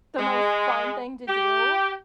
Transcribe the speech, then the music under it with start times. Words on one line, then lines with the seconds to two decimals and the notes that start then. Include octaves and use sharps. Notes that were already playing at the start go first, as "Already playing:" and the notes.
the most fun thing to do,
0.19 G#3
1.27 G4